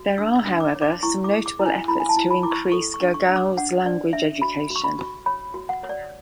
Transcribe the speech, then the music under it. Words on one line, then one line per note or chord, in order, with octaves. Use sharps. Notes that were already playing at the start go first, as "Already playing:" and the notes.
There are, however, some notable efforts to increase Gagauz language education.
Already playing: F#4
D4 E6
E6
D4
D6
C#5
D6
E4 C#6
D6
G#4
D6
E4
G#5
E4 B5
G#5
A5
E4
B5
E4 D6
C#6
A4 C#6
C#6
D4
C#6
D4
D6
D4 F#5
D4 D5
D4 E5
F#4 B5
F#4
C#6
B5
F#4
C#5 B5
F#4
F#5
C#5
D5